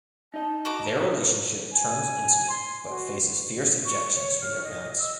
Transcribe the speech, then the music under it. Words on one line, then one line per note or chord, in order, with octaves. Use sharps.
Their relationship turns intimate but faces fierce objections from their parents.
D#4 D#5 A5
F#4 A#5 D6
G#5
C6
F#4
C#6
C#5
F6
D#5
E6